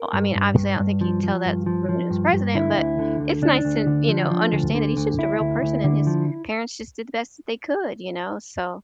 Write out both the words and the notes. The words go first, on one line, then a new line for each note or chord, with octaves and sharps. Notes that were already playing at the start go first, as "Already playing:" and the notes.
I mean, obviously I don't think he'd tell that story when he was president, but it's nice to, you know, understand that he's just a real person and his parents just did the best that they could, you know? So
Already playing: A#4
G2
G2
G2
G2
F3
F3
G2
F3
F3
G2
G2
D3 E4
D2
D3
D2
D2 D4
D2
D3
F3
F3
D2
D3
D2
D2 E4
D2
D2
D3
F3